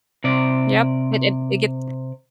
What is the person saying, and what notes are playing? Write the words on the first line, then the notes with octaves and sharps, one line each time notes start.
Yep, it it it gets
C3 D5